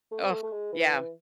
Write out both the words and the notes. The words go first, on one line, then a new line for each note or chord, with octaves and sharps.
Oh, yeah.
A3
C4
A3
A3
G#3
E3